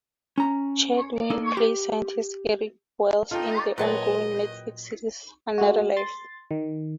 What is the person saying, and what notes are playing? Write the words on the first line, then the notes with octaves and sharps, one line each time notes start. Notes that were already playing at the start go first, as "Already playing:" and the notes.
Chatwin plays scientist Erik Wallace in the ongoing Netflix series "Another Life".
C#4 A#5
A#3 D#4 A4
G4
D#4 F4 A4 G5
A#2 F#3 B4 D#5 G5 A5
G#3 A3 F#4
C6 A6
D#3